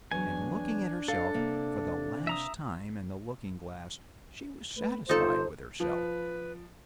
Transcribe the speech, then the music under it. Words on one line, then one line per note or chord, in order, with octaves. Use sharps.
And looking at herself for the last time in the looking-glass she was satisfied with herself.
E2 F#3 D4 G#5
A4 F5
C3 A#3
E5 A#5 D#6
A3 B4
G1 D#4 F4 A4 C5
F3 B4